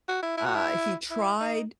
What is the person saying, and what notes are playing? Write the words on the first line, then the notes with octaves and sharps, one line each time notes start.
Uh, he tried
F#4
E4
E4
F#4
E4
E4
D#4